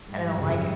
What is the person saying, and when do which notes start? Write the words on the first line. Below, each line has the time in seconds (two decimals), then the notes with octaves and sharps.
and I don't like it.
0.09 G#2 G3
0.37 F#2 C#3 G3